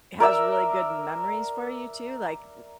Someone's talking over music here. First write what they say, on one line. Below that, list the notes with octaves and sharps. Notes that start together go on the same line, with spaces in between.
has really good memories for you too, like,
A#4 D5 E5 E6